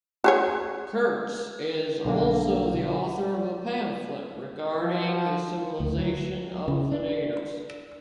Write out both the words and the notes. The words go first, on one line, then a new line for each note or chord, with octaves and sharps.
Kurtz is also the author of a pamphlet regarding the civilization of the natives.
F#4 G#4 C#5
B1 D3 A#3
F3
D2
F#3
C#3
D4